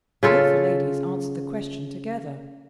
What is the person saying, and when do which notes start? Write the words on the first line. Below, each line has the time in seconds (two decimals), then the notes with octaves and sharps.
Both the ladies answered the question together.
0.23 C#3 F4 A4